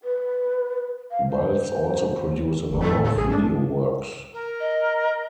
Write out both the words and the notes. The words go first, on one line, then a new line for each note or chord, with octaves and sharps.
Baltz also produced a number of video works.
B4
F5
C5
G1
A2 A4
A4
A#1 G#4
A3 D4
A#4
D#5